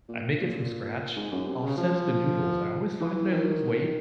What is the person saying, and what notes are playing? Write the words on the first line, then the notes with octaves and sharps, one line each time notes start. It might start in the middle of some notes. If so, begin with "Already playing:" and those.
I make it from scratch, offsets the noodles, I always find that I lose weight
A#2
A#2
G#2
F#2
C3
C#3
F3
E3
D#3